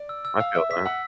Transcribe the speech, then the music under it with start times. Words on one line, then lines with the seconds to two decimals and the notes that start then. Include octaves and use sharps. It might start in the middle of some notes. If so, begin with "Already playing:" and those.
I feel that.
Already playing: D5
0.09 E6
0.25 E6
0.39 F5 E6
0.55 E5 E6
0.70 E5 B6
0.85 F#5 E6